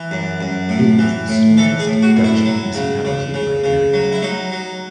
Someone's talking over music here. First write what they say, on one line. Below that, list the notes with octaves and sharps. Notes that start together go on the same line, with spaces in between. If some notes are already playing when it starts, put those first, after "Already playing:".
It is the smallest Dutch municipality by area.
Already playing: E3
F#2
F#2
A2
E3
A2
E3 A4
G#4
A2
F#4
A2
E4
F#3
C#3
C#3
C#3
C#3
F#3
E4
F#3 D#4
F#3